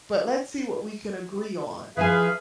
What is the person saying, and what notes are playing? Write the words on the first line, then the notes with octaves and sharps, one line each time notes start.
but let's see what we can agree on,
E3 F3 G#4 B4 F5 G#5